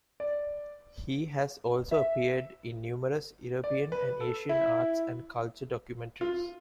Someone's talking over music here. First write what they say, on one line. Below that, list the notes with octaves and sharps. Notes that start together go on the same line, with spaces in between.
He has also appeared in numerous European and Asian arts and culture documentaries.
D5
E5
D5
B4
A4
E4
F4